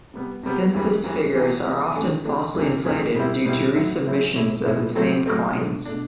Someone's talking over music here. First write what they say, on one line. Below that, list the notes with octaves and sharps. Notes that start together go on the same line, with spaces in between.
Census figures are often falsely inflated due to resubmissions of the same coins.
C3 G3 B3
C3 G3 B3
F#2 E3 G3
F#2 E3 G3
C3 E3 B3
C3 E3 B3
C3 E3 A3 D4
C3 E3 A3 D4
D2 C3 E3
D2 C3 E3
B2 G3 C4 E4
B2 G3 C4 E4
A2 F#3 C4 E4
A2 F#3 C4 E4
B2 A3 E4
B2 A3 E4
A2 F#3 A3 C4
A2 F#3 A3 C4
B2 A3 D4
B2 A3 D4